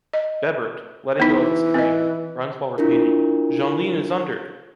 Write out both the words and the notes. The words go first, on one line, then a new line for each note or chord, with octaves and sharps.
Bebert, letting go of his train, runs while repeating--- Jeanlin is under!
D#5
E3 B3 D#4
C4 D#5
D4 E4 F4 A#4